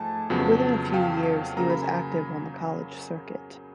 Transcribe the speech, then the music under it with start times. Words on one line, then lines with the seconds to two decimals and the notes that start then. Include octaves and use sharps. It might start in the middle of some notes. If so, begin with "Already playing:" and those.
Within a few years, he was active on the college circuit.
Already playing: G#2 F3 A3 G#5 A5
0.30 F2 C#3 F#3 B3
0.93 F5 G5
1.57 C#3 F#3 A#3 A#5
1.70 B5
1.82 G#5 A#5